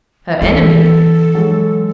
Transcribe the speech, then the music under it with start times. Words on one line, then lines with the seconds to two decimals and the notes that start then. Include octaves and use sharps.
"Her enemy?"
0.42 E3 A4
1.35 F#3 G#3